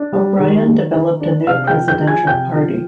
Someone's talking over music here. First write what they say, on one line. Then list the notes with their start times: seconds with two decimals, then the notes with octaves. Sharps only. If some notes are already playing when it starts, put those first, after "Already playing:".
O'Brien developed a new presidential party.
Already playing: D4
0.12 G3
0.40 D#3
0.67 D#3
0.94 D#3
1.20 D4
1.47 C3 F5 F6
1.67 G5 G6
1.74 F3
1.88 G5 G6
2.01 F3
2.07 G#5 G#6
2.27 C3 G5 G6
2.55 F3